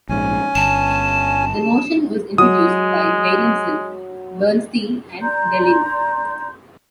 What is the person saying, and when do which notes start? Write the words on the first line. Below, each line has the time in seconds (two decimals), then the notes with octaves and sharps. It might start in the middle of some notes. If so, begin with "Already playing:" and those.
The notion was introduced by Beilinson, Bernstein and Deligne.
0.09 A#1 G#2 C#4 G#5
0.55 G1 A5 E7
2.38 F#3 G#3 D#6
5.22 D5 A#5 C6 G6